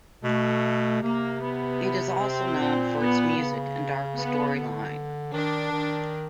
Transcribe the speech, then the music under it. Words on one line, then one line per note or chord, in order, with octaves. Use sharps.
It is also known for its music and dark storyline.
B2 A3
C3 A#3
B3
C4
A#2
B3
C#3
B3
D3
D#3 D4
D#3